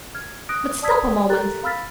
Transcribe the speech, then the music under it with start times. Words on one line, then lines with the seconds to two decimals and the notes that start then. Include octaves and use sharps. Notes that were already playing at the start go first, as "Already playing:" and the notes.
But stop a moment.
0.15 F6 G#6
0.49 D#6 F#6 A#6 D7
0.82 D5 A5 D#6 E6 G#6 B6
1.29 G4 A4 A#4 A#5 F#6 A6
1.63 F5 B5 E6 F6 A6 B6